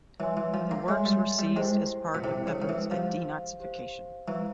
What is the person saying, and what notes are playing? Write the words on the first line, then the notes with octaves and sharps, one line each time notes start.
The works were seized as part of efforts at denazification.
E3 C#5 E5 G#5 C6
E3
F3
A#3
G#3 C#5 E5 G#5 C6
G3
G3
G#3 E4 G4 C5 G5
A#2
C3 E4 G4 C5 G5
C#3
C#3
E3
F3 G4 C5 F5
G4 C5 F5
E3 C5 F5 A#5 C#6